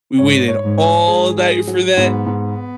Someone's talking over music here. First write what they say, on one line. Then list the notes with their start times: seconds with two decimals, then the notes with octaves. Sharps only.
we waited all night for that.
0.19 G#2 C#5
0.48 C#5
0.62 G#2
0.78 C#5
1.07 G#2 G#4
1.37 G#4
1.68 F#3
1.96 G#2 B3
2.26 G#2
2.42 B3